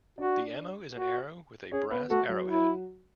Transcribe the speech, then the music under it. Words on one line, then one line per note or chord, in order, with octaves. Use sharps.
The ammo is an arrow with a brass arrowhead.
D4 F#4 D5
F#4
C#4 G#4 C#5
B3 B4
A3 F#4 A4
F#3 F#4
E4